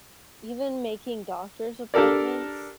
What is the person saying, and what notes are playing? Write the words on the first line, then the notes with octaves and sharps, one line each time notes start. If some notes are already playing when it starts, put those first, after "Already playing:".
even making doctor's appointments.
D4 G4 A4 A#4 D5